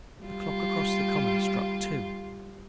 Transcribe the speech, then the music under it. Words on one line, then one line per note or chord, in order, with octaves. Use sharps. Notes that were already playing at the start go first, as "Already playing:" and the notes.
The clock across the common struck two.
G3 F4